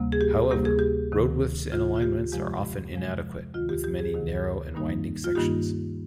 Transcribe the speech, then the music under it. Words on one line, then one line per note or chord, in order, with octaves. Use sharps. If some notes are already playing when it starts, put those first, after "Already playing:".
However, road widths and alignments are often inadequate, with many narrow and winding sections.
Already playing: D2 C3 G3 A#3
G#4
G4
D2 C3 G3 A#3 G4
G#4
G4
D2 C3 D#3
D2 C3 D#3 F4
F4
G4
F2 C3 F3 G#3 G4
F2 C3 F3 G#3
D2 C3 D#3 F4
G4
G4
G#4
D2 C3 D#3
G2 D#3 G3 A#3 D#4
F4
G2 D#3 G3 A#3 D#4 G4